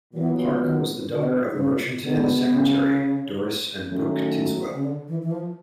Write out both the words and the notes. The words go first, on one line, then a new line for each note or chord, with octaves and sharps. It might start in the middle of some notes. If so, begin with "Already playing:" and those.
Park was the daughter of a merchant and a secretary, Doris and Brooke Tidswell.
A#2 E3 F#3 B3
D#3
D3
C#3
B2 D3 G#3 B3
D#3
D3
C#3
D#3 F#3 A3 C#4
C#3
D3
E3
E3
F3